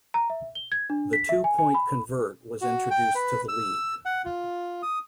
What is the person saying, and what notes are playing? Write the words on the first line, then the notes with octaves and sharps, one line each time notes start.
The two-point convert was introduced to the league.
A#5
E5
G7
G#6
D4
B6
E5
G#5
G#5
B5
F#4
G5
B4
E6
F#5
F4
D#6